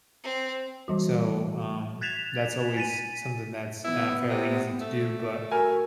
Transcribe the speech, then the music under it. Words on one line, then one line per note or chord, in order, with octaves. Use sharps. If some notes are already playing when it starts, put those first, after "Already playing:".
So, um, that's always something that's, uh, fairly easy to do, but.
C4
E3 G3 F#4
F#6 G#6 A6 B6 E7 F7
G#5 A6 B6 D#7
B3 E4
C3
A3
F#4 A#4 G#5